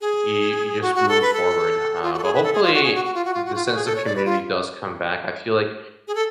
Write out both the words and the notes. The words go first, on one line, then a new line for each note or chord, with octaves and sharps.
you you just move forward, uh, but hopefully, the sense of community does come back, I feel like
G#4
F#4
F#4
A4
B4
A4
F4
F#4
A4
G#4
B4
A4
G#4
F4
F#4
G#4
F#4
F#4
F4
F#4
F4
F#4
F4
F#4
G#4
A4
C#5
D5
B4
F4
G#4
A4